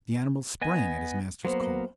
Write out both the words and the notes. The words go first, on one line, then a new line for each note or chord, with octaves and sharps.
The animal sprang at his master's call.
B3 D#5 G#5
F#3 A#3 B3 C5